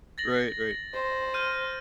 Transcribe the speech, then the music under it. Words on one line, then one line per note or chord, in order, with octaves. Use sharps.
Right, right.
A6 A#6 F#7
C5
F6 G6 D#7